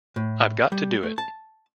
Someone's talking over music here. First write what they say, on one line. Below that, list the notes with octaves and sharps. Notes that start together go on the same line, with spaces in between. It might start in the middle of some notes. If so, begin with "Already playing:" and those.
I've got to do it.
A2
G3
A3
A5